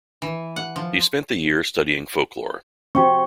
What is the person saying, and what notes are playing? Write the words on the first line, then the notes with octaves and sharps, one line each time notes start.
He spent the year studying folklore.
E3
F#5
F3
C4 F#4 G5 C#6